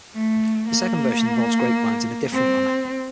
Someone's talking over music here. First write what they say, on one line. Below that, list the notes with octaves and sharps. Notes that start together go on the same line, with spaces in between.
The second version involves grape vines in a different manner.
A3
A#3
C4